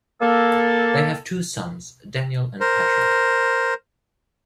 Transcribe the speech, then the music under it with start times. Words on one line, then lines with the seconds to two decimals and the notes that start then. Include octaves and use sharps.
They have two sons, Daniel and Patrick.
0.22 A#3 A4
2.60 A#4 C5